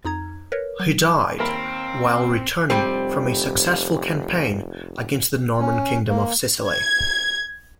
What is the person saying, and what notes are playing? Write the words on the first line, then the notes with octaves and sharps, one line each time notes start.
He died while returning from a successful campaign against the Norman Kingdom of Sicily.
F2 D#4 A#5 G#6
A#4 B4 C#5
F#3
D#2 C4 A#4 B5
F1 G3 C4
C#4
A#3
G#6